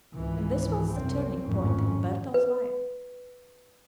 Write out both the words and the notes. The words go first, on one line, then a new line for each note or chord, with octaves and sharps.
And this was the turning-point in Bertel's life.
G#1 C#2 E3
C2 F#2 C4
G#1 F2 A2 C#4
B4